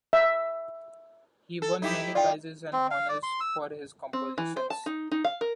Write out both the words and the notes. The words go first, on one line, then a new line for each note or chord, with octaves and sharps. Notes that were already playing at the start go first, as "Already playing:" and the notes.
He won many prizes and honors for his compositions.
E5
A4
D#4 E4 G4
F4 D5 G5
C4
F5
D5
C6
E6
C4
E3
C5
A5
D#4
D#4
F5
A#4